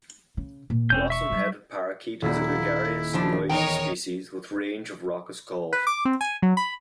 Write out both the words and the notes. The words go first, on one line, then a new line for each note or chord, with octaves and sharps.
Blossom-headed parakeet is a gregarious and noisy species with range of raucous calls.
C#3
A#2
E1 C4 C#4 G6
E5 C#6
F#3 G3
D#1 A#3 E4
C#3 F3 D4
E2 D#4 A#4 C#5 G5 A#5
B4
D6
C4
G#5
F#3
B5